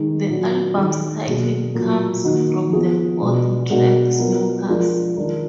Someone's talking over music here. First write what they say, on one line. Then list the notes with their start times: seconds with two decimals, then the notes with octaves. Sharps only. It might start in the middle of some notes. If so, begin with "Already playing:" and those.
The album's title comes from the fourth track, "Smokers".
Already playing: D#3 G#3 D#4 G#4
0.28 A#2 F#3 D4 F#4
0.77 D#3 G#3 D4 G#4
1.27 B2 F#3 A#3 D4 G#4
1.75 A#2 F#3 A#3
2.24 D#3 A#3 D#4 F#4
2.73 F3 B3 F4 G#4
3.21 B2 G#3 B3 D4
3.70 B2 G#3 D4 F#4 A#4
4.19 F#3 B3 F4 A#4
4.68 F3 G#3 D4 F4 A#4
5.16 D#3 G#3 D4 F4 A#4